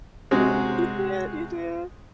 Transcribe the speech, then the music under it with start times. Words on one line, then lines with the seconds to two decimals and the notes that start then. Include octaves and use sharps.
You did, you did.
0.31 C3 G#3 C4 F#4 G#4